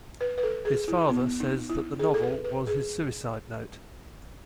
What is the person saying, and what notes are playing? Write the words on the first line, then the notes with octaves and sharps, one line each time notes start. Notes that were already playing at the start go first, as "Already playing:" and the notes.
His father says that the novel was his suicide note.
B4
B4
A4
G#4
E4
B3
D#4
E4
G#4
A4
B4
B4
G#4